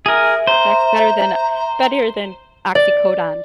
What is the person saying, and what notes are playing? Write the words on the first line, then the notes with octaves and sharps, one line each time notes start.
That's better than better than oxycodone.
G#4 A#4 E5
C5 A#5
D5